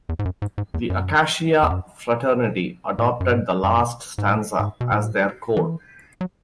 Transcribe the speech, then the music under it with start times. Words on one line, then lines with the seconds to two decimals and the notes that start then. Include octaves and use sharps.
The Acacia Fraternity adopted the last stanza as their code.
0.09 E2
0.19 G#2
0.25 F#2
0.42 G#2
0.58 G#2
0.74 E2
0.90 F#2
1.63 E2
1.70 F#2
2.99 A2
3.20 F#2
3.32 G#2
3.64 F#2
4.18 G#2
4.28 A2
4.59 G#2
4.81 B2
4.92 A2
5.57 E3
6.21 F#3